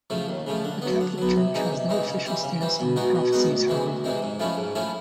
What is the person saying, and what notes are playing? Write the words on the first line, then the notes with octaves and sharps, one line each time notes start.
The Catholic Church has no official stance on the prophecies, however.
C#3 F3 A3
D#2
C#3 F3 A3
D3
F#3 B3
D3
F#3 B3
C3
E3 G#3 C4 D#4
C3
E3 G#3 C4 D#4
C#3
E3 G3 C4
C#3
E3 G3 C4
B2
G#3 B3 D#4 F#4
B2
G#3 B3 D#4 F#4
D2
C3 E3 G#3 C4
D2
C3 E3 G#3 C4
G#2
F3 A3 C#4 E4
G#2
F3 A3 C#4 E4